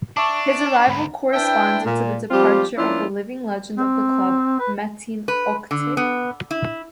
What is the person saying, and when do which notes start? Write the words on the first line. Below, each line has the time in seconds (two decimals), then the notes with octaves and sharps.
His arrival corresponded to the departure of the living legend of the club, Metin Oktay.
0.17 D4 E5 A5 C#6 D6
0.87 D2 G#2 B5
1.34 D4 E4 B4 E5 G5
1.85 A#2
2.31 F3 G3 C4 F4 G4
2.77 F3 A#3 C#4 D4 E4 F4
3.77 C4
4.59 B4
5.28 B4
5.71 D3
5.97 B3
6.51 E4